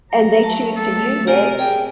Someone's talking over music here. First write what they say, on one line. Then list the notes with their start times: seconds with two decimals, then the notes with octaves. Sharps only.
and they choose to use it,
0.11 F#3 A3 A#3 A#5
0.43 A5
0.77 A4
1.27 C3 G4 A#4 D5 G#5
1.59 G#4 G5